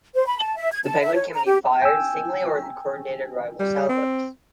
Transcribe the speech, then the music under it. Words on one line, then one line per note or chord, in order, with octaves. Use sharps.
The Penguin can be fired singly or in coordinated-arrival salvoes.
C5
B5
A5
E5
G#6
A5
E5
C#5
A#5
G4
G5 G#5 E6
G3
C4